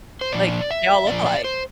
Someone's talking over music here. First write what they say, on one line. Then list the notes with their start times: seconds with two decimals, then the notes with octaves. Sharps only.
Like, they all look alike.
0.21 C5
0.32 A#2 F3 D5
0.71 E5
1.07 A#2 F3 D5
1.26 D5
1.44 C5